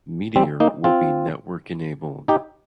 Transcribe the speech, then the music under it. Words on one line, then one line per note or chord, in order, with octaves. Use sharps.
Meteor will be 'network-enabled'.
G3 C4
A#3 D#4
C4 F4
D#4 G4